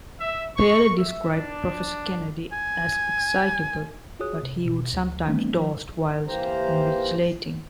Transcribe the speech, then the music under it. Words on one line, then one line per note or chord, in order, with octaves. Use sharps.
Paley described Professor Kennedy as excitable, but he would sometimes doze whilst invigilating.
E5
C#6
E5
D4
G#5
F4 F#4 G#4 C#5 D#6 F#6
C3
B2
D2
E3 G3 A3 B3 C4 D4
F3
E3 A#3 G4 C5 A#5